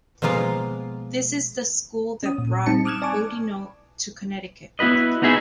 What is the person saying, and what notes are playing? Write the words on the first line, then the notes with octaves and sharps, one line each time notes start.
This is the school that brought Boudinot to Connecticut.
B2 F3 G#3 A#3 F4
C#4 D#6
A#2
G3 C4 D#4 A5 C#7
D6 D#6 F6 F#6 G#6 E7
D5 G#5 A5 C#6 D6
B3 E4 F#4 B4 D#5
B3 D#4 F#4 G#4 E5